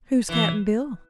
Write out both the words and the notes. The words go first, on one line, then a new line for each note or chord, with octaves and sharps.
"Who's Cap'n Bill?"
E3